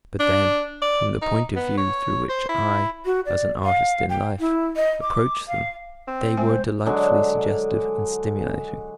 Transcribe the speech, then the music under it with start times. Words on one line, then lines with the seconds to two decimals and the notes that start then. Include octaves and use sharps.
But then, from the point of view through which I, as an artist in life, approach them they were delightfully suggestive and stimulating.
0.20 D4
0.82 D5
1.22 D#4
1.56 B3
1.77 C#5
2.29 C5
2.49 E4
3.05 F#4
3.26 D5
3.64 F5
4.09 G5
4.40 E4
4.76 D#5
5.02 D6
5.48 F5
6.08 C4
6.37 G#3 C5 G#5
6.86 D3 F#3 G#3